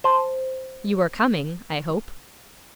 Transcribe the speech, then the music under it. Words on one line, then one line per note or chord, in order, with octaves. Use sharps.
'You are coming, I hope?'
C5 A5